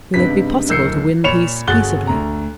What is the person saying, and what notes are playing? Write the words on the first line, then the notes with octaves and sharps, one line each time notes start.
Will it be possible to win peace peaceably?
C#2 G2 C3 B4 B6
D1 A#4 E6 G6 C7 C#7
A#2 C#5 B5 C#7 E7 F7
G1 F#4 G#4 F#6 A6 G7
D2 A#5